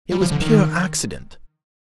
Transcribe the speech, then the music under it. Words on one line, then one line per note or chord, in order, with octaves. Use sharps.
It was pure accident.
G3
F3
D3
D#3